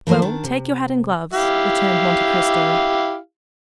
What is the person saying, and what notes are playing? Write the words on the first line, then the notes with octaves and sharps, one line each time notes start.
"Well, take your hat and gloves," returned Monte Cristo.
E3 A3 A#3 A#4 C5
D#3 D4
C3
E4 G4 F5